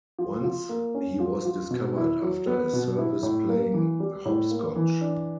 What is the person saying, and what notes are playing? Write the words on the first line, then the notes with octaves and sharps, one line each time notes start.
Once he was discovered after a service playing hopscotch.
F3
F3
A#3
C#4
F3
F3
B2
E4
F#3
B3
B2
E4
A2
A#3
E3
G3
A2
A#3
E3
D4